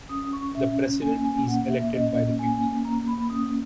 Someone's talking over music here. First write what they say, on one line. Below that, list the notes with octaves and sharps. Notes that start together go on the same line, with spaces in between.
The president is elected by the people.
C#4 D#6
C#6
C#4 E5
A#3 G#5
G#5
A#3 F#5
E5
C#4 D#5
A#3 G#5
A#3 A#5
B5
C#4 D#6